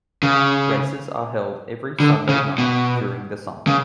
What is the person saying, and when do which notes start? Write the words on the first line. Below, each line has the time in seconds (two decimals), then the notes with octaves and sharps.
Races are held every Sunday night during the summer.
0.23 C#3
2.00 D3
2.29 C#3
2.58 B2
3.67 C#3